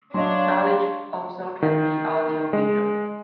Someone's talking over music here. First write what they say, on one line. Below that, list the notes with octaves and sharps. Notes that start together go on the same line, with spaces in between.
Knowledge also can be audio-visual.
F#3 D4 C#5 D#5 F5 C6
D#3
G#3